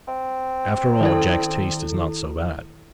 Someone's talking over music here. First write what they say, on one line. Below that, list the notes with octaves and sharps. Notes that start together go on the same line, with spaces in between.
'After all, Jack's taste is not so bad.
C4
D#3 E4 A4